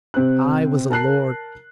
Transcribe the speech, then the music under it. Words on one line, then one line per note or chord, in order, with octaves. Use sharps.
I was a lord.
C3 C4 C5 F#6
A#4 A5 F#6 C7